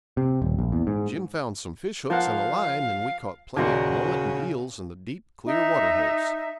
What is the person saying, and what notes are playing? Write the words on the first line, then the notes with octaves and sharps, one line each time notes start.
Jim found some fish-hooks and a line, and we caught plenty of mullet and eels in the deep, clear waterholes.
C3
D#1
A#1
E2
G#2
F3 A#4 F5 F#5
D#2 A#2 C#3 F#4
D#4 E5